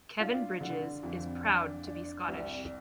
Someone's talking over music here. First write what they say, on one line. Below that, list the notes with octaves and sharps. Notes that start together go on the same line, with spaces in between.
Kevin Bridges is proud to be scottish!
D4 F4
D3
F2
D4
D4
C2